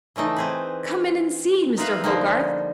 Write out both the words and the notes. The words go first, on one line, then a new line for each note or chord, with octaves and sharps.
Come in and see Mr. Hogarth.
C#3 E3 A3 D#4
C4 G#4 B4
D#4 F4 A#4 B4 E5 F5
D3 F3 G3 A#3 D#4